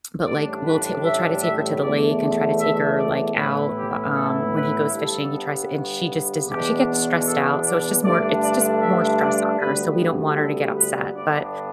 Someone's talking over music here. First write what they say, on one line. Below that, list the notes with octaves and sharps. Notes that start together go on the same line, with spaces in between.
but, like, we'll t we'll try to take her to the lake and try to take her, like, out, bu um, when he goes fishing, he tries to and she just does not she gets stressed out, so it's just more it's just more stress on her, so we don't want her to get upset, but,
A1 A2 G3 D4 D5
B4
E5
E5
E2 B2 A3 D5
E5
D5
A2 E3 B3 E4 B4
G4
A4
B4
G1 G2 G3 B3 A4
E2 B2 B3 D4 G4
A4
D5
G2 D3 A3 D4 D5
D5
E5
D5
D2 D3 G3 B3 B4
A4
B4
G1 G2 D3 B3 D4 D5